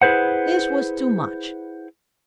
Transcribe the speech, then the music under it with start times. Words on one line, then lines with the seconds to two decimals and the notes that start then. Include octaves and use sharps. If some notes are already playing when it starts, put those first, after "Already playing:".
This was too much.
0.02 E4 G#4 B4 C5 F#5